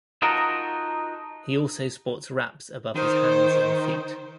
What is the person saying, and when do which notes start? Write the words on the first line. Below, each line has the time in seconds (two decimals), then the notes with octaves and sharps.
He also sports wraps above his hands and feet.
0.22 D#4 F4 F#4 A4 A#4
2.96 D#3 C5